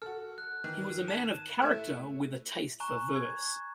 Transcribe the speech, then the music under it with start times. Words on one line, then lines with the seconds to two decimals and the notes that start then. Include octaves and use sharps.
He was a man of character, with a taste for verse.
0.02 F#4 A4 F6
0.38 F#6
0.64 D#3 E3
1.08 A5 G#6 D#7 E7
1.62 A3 E4
2.80 G#5 A#5 C#6 F#6 E7
3.15 G#6